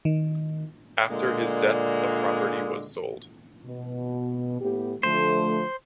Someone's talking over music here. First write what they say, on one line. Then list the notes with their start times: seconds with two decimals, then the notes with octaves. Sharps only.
After his death the property was sold.
0.05 D#3
1.10 A#2 D3 G#3
3.66 B2
4.61 A2 B3 G4
5.03 D3 F3 A3 C5